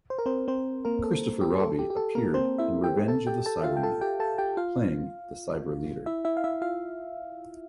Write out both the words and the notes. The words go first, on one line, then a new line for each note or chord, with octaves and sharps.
Christopher Robbie appeared in "Revenge of the Cybermen", playing the Cyberleader.
C5
A#4
C4 C5
C4 C5
A#3 A#4
A4
G4
A4
G4
G4
A4
A#3 A#4
C4 C5
E4 E5
G4 G5
A4 A5
G4 G5
A4 A5
E5
F4 F5
G5
A4 A5
G4 G5
A4 A5
G4 G5
F4 F5
E4 E5
E4 E5
F5
E4 E5
F4 F5